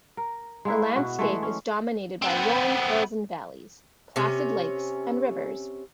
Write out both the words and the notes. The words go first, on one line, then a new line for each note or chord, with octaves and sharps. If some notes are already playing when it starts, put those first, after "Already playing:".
The landscape is dominated by rolling hills and valleys, placid lakes and rivers.
A#4
G#3 A#3 E4 B4
B2 F#4
E3 G#3 A3
C#4
B3 C4
C3 C#4